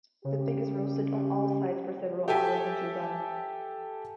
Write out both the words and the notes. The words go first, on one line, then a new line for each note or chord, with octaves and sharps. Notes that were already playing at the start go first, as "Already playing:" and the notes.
The pig is roasted on all sides for several hours until done.
C#3 G4
G4 A4 E5 G5 G#5